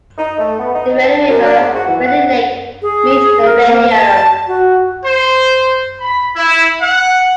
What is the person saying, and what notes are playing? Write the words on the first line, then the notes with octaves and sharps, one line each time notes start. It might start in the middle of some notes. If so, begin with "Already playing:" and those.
The Rainy River and Rainy Lake meet at Ranier.
D#4
A3
B3
D#4
A5
F#2
D4
G#2
F#4
E3
F#5
G#4
A#4
A#3
A5
F#4
C5
B5
E4
F#5